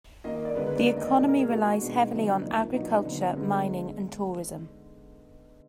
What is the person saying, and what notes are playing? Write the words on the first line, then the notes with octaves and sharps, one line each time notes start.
The economy relies heavily on agriculture, mining and tourism.
D#3 A#3 D#5
D#5
D5
D3 G#3 B3 B4
B4
D5
D#3 A#3 D5
D#5
D5
B2 G#3 B3
A#4
G#4
D#3 A#3 F#4
F#4
B2 G#3 B3 D4
D#4
D3 F#3 B3 D#4
D4
A#2 F3 A#3 D#4
B2 F#3 B3 D#4
D4
D#4
D3 F#3 B3
D3 G#3 B3